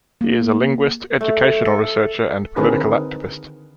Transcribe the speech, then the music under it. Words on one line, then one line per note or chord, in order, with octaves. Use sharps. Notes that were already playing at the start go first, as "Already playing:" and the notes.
He is a linguist, educational researcher, and political activist.
A#3
A3
A4
D3 D#3 C4 G#4 A#4 B4